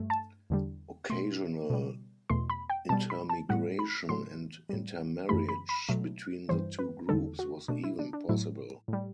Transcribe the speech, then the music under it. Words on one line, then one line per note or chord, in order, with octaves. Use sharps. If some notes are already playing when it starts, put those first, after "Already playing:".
Occasional intermigration and intermarriage between the two groups was even possible.
Already playing: G2 A3
A5
E2 D3 G3
B2 A3 C6
B2 G3
E2 B2 A3 C6
B5
G5
B2 G3 A5
B5
A5
A2 G3 F#5
B5
A2 F#3 A3 C6
A2 G3
F#2 E3 A3 B5
B5
B5
B2 F#3 A3
G2 E3 G3 C5
B4
E2 D3 G3 A4
F#4
B2 A3 D4
E4
D4
D4
A2 F#3 A3 E4
A2 G3